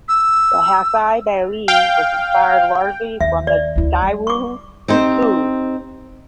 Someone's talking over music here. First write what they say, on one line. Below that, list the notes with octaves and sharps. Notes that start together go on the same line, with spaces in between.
The Hafei Baili was inspired largely from the Daewoo Tico.
E6
F5 G5
D#2 E5
D5
D2 E4
G3
C#6 D6
C4 D#4 G4 C5